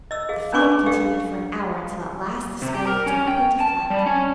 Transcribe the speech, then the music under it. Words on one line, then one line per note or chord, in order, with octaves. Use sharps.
The fight continued for an hour, till at last the Spaniards were put to flight.
D#5 E6
G#4 F5
C#4 D4 B4 G#5 C#6 D6
G4 A4 F5 G5
C3
G4
A#4
C#4
G5
A5
G3
C#4